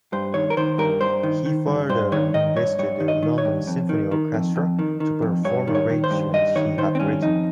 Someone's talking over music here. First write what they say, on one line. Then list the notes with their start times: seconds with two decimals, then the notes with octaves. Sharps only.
He further enlisted the London Symphony Orchestra to perform arrangements he had written.
0.13 G2 C5
0.34 D#3 C#5
0.50 A#4
0.57 D#3 C5
0.78 G2 A#4
1.01 G2 C5
1.23 D#3
1.46 D#3
1.67 G2
1.89 G2 C5
2.12 D#3 C#5
2.34 D#3 D#5
2.56 G2 C#5
2.79 G2 C#5
3.00 D#3
3.08 D#5
3.23 D#3
3.38 C#5
3.45 G2
3.67 F2
3.89 D#3
4.11 D#3
4.34 F2
4.56 F2
4.79 D#3
5.00 D#3
5.22 F2
5.44 G2 C#5
5.67 D#3
5.75 C#5
5.89 D#3
6.04 C5
6.11 G2
6.34 G2 D#5
6.55 D#3 C#5
6.78 D#3 C5
6.95 C4
7.00 G2 C#4
7.22 F2 D#4